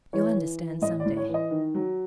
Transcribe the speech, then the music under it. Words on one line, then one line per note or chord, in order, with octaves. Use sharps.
"You'll understand some day."
E3 C#5
E3
E3
A2 D#5
D5
A2
C#5
E3
D#5
D#3
F#3